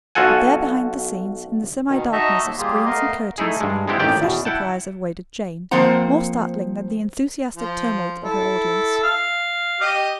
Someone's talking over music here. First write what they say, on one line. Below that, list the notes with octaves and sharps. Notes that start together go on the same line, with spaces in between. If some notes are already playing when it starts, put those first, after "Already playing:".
But there, behind the scenes, in the semi-darkness of screens and curtains, a fresh surprise awaited Jane, more startling than the enthusiastic tumult of her audience.
B1 F4 F#4 A4 F#5 G#5
B2 D#3
D#4 F#4 D#5 E5 A5 A#5
D#2 A#2
G3 A#3 F4 G4 G#4
A3 B3 A#4 D#5 F5
A3 D#4 E4 G#4
G2 G#3
G#3 B3 C4 E4 G4
A1 D#3 G4 D5 G5
E2 B2
E4 F#5 G5 A5
F3 A#3 C4 C5 F#5 A#5
F3
E4 A4
F5
G4 D#5